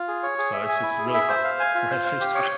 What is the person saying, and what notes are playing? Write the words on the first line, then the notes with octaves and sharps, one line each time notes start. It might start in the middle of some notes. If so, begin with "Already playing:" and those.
so, it's it's really hot where I live, so
Already playing: F4
G#4
C#5
G#4
E5
G#5
E4
G#4
E5
C5
F5
G#5
F4
C5
F5
G4
C#5